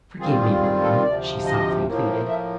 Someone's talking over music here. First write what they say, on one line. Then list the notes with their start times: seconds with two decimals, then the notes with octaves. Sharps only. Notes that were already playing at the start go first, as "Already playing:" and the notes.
"Forgive me, William," she softly pleaded.
0.19 D#3 G3 C4 F4 G#4
0.41 G#4
0.61 G#4
0.82 A4
1.03 D2 C3 F3 D5
1.45 D#5
1.86 A2 F3 A#3
2.28 E5